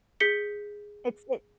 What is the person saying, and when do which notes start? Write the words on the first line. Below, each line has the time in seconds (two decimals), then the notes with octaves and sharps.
It's it
0.20 G#4 G6 B6 C#7 G7